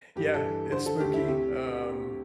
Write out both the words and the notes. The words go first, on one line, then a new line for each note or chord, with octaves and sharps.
Yeah, it's spooky, um,
G2 G4
A4
E3
D3 C5
A4
D2 G4
E4
C3 G4